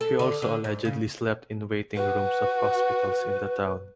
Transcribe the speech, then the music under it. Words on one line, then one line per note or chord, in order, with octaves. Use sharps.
He also allegedly slept in waiting rooms of hospitals in the town.
A4
D3
D3
G#2
C#3
F#4 B4